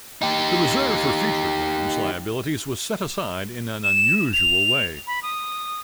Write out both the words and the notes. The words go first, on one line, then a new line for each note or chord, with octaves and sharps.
The reserve for future claims liabilities was set aside in an unusual way.
D#4 G4
E7
F7
B5
D#6